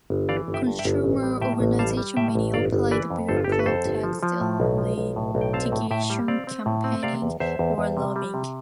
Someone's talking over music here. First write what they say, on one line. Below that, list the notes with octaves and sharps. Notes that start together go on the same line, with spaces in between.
Consumer organizations may operate via protests, litigation, campaigning, or lobbying.
G1
E3 D5 F5
G1
E5 G5
G2
E5 G5
G1
A1
G3
A2 E5 G5
A1
G3 F5 A5
G3
A2 E5 G5
A1
G1 D5 F5
G1
E3 B4 D5
F2
G1 A4 C5
F4
G4
G1 A4
B4
F2 A4 C5
G1
F3
F3
A2
B1
F3
B1
A2
B1
G5
C4 F5 A5
A2
A2 E5 G5
G3
C4 D5 F5
C4
A2
C4
C3 D5 F5
E2
E2 C5 E5
E2
E2
C3
G3
C3